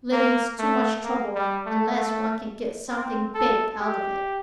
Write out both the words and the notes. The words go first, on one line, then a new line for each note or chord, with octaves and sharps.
"Living's too much trouble unless one can get something big out of it."
A#3
A3
A#3
G3
A3
A3
C4
A4
G4